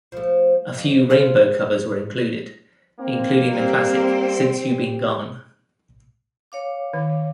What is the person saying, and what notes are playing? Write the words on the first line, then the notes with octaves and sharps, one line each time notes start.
A few Rainbow covers were included, including the classic "Since You Been Gone".
F3 A3
F2
F4 G#4 C5
A#3 C4
G3 C4 C5
G4
C#5 F5 D6
D#3